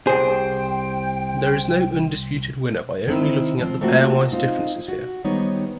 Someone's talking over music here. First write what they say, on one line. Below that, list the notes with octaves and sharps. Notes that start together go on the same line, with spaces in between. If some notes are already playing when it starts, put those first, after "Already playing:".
There is no undisputed winner by only looking at the pairwise differences here.
C2 G#4 C5 G5
D#3 C4 E4
F3 C4
A3 A#3 C4 F4 F#4
C4 D#4 F4 C5
F#4
D#3 G3 B3 D#4 C5 C#5